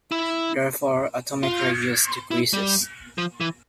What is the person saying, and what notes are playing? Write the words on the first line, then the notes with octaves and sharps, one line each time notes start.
Therefore, atomic radius decreases.
E4
F4
E4
G3
F3
E3